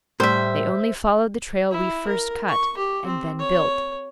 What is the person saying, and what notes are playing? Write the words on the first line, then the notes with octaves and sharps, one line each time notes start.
They only followed the trail we first cut and then built.
A2 G3 C5 E5
E4
A#4
C#6
G4
C4
C#5